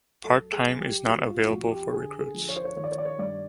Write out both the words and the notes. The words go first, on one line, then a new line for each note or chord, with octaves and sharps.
Part-time is not available for recruits.
F#3 A4
G#4
F#3
G4
F4
G3 F#4
F4
F4
F2 F#4
F#4
G4
D3 G#4
G#4
F3
C#5
C5
C#5
D#3 C#5
D5
C#5
D5
C#5
G2 D5